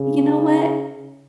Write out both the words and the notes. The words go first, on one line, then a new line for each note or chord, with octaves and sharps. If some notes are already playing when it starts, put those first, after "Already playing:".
You know what
Already playing: C#3